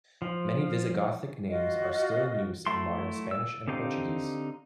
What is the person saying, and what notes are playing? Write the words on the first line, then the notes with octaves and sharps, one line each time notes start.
Many Visigothic names are still in use in modern Spanish and Portuguese.
F3
F4 F#4 D#5
F#3 A3 E4 C6
E6
D3 C4 D#4 G4 F5